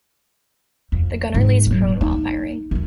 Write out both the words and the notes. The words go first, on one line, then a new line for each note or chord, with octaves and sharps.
The gunner lays prone while firing.
F2
G#2 G#3
D#1 F#3
D#4
D#3 A3